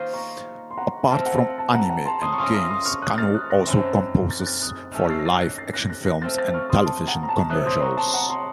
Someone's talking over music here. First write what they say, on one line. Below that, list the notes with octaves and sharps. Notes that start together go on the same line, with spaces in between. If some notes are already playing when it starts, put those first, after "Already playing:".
Apart from anime and games, Kanno also composes for live-action films and television commercials.
Already playing: D#3 A#3 F4 C5 D#5 A#5 C#6
A#5 C#6
C6
F#5 A#5
A3 C4 F4 A#4 A5
F#5
A5
A5
F#5 A#5
A5
F#5 A#5
A5 C6
C6 D#6
C#6
A3 C#4 F4 A#4 C#5 C6 D#6
C6 D#6
C6 D#6
C#6 F6
D#6 F#6
F6 A6
D#6 F#6
F#6 A#6
F#2 D#3 F#3 A3 C4
F6 A6
F#6
F6 A6
D#6 F#6
D#3 A3 C#4 A4 C#5
A6 C7
A#6
A6 C7
F#6 A#6
A6 C7
F#6 A#6
F#6 A#6
F#6 A#6
A3 C4 F4 F6 A6
F6 A6
C#6 F6
C6 D#6
A5 C6
F#5 A#5
A#5
A5
C3 F#3 A3 D#6 F#6
C6 D#6
A#5 C#6
A5 C6
F#5 A#5
A5 C6